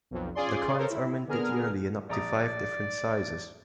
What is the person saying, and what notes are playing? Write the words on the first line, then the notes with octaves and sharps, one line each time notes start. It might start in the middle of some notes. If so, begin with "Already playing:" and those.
The coins are minted yearly in up to five different sizes.
B1 F2
C#4 F4 G#4 D5 C6
A4 A#4 C5 C#5
E4
D3 B3 G#4 A#4 F6
A#1 D5 A#5 D#6